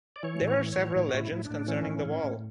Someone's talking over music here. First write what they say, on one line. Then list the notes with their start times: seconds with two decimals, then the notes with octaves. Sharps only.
There are several legends concerning the wall.
0.16 D5
0.23 E3 C#5
0.41 A2
0.47 C#5
0.59 E3
0.72 C#5
0.77 A2
0.96 A2 C#5
1.09 A2 F#4
1.20 E4
1.32 A2
1.45 D4
1.50 A2
1.68 E3 C#4
1.86 A2
2.05 A2
2.24 A2